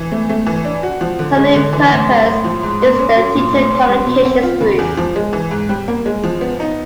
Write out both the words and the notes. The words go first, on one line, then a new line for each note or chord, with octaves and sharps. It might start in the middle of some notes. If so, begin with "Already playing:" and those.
Similar in purpose is the Theatre Communications Group.
Already playing: E3
A3
A3
E3
D4
F#4
F3
D3
G#3
D3
E3
A2
G3
A2
F3
G#2
A#3
C#4
F#3
A#2
A3
C#4
G3
B2
C4
F4
C#3
E2
F3
G#3
E3
G#2
G3
A#3
G#3
F3
B3
D#4